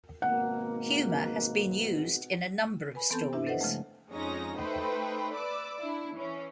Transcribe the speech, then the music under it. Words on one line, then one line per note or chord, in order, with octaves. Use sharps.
Humor has been used in a number of stories.
G#1 B2 A#3 F#5
B4 G#5 B5
E3 B3 C4 A4 A5 G6
G2 C#4 D4 E4 G4 E5
A4 B4 C5 D#5 F#5
C#3 F3 G#3 A3
F2 G#3 C#4 D#4 A#6
A3 D#4 B4 C5 G5
B4 D5 D6 E6
D4 E4
E3 C#4